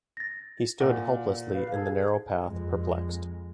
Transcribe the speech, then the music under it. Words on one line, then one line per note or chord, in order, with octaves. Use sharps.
He stood helplessly in the narrow path, perplexed.
A6 A#6
A#2 F#5
B4 F5
G#4 A4 G#6
F2 G#3